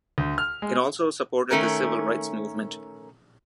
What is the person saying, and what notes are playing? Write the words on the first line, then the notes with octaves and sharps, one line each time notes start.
It also supported the civil rights movement.
D2
F6
G#3
D#3 A3 C#4 A#4